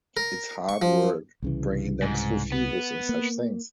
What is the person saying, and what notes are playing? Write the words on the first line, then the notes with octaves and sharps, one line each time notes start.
It’s hard work bringing them through fevers, and such things.
A#4
C#6
F3
C2 C#3 E3
G#2
B3
A#3